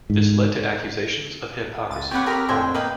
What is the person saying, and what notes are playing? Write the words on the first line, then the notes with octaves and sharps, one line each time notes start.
This led to accusations of hypocrisy.
G#2
C#2 A6 D#7
C4 G4 B4 C#5 F#5
G4 A#4 B5 D#6 F6 A#6
F2 A2 D3 C5 G5 G#5
A#3 B4 D#5 G5